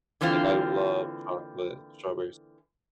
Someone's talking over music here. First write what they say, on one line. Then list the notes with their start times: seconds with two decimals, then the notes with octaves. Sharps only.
Like, I love chocolate strawberries.
0.21 D3 E3 A#3 C4 F4